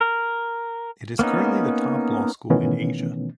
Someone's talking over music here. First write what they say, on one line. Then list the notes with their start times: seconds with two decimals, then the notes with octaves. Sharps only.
It is currently the top law school in Asia.
0.01 A#4
1.19 A#3 B3 C#4 D#4
2.50 B2 D#3 E3 A3 B3 C#4